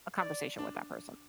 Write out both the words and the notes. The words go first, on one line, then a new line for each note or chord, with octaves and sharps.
a conversation with that person.
D5
D4